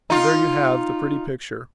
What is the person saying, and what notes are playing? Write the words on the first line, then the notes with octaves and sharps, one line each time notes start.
So there you have the pretty picture.
D#4 F4